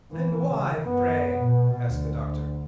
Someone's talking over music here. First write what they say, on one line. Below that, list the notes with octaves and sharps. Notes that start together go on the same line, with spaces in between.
"And why, pray?" asked the Doctor.
E3
C#3
F#2 B3
B2
D2